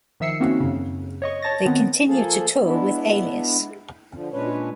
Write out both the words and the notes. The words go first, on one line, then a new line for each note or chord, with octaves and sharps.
They continue to tour with Alias.
D#3 F3 E5 E6 C7 C#7
A#3 C4 C#4 D#4 F#4
F#2 C#3
C#5 D#5 C#6
C#5 A5 A6 A#6
D#3 B3 C4
F3 A#3 G#4 A4
G#3 B3 D4 E4
D3 F3
A#2 G#3 C#4 D4 B4 C#5